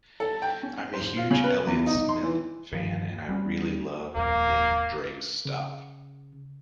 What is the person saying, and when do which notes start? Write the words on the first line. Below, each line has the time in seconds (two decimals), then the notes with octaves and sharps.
I'm a huge Elliott Smith fan and I really love Nick Drake's stuff.
0.20 A4
0.42 G5
0.63 C#4
0.93 C5
1.17 F4
1.31 C#3
1.44 B4
1.67 E2
1.86 D#4
2.09 C6
2.23 E3
2.73 G2 D#3 F3
3.29 G3 C#4
4.15 D#1 F2 G#2 A#3
5.45 C#3